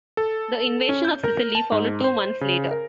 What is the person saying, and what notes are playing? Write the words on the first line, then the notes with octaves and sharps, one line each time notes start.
The invasion of Sicily followed two months later.
A4
C#4
G6
A#4
A5
G#2
C5
C#3
A#4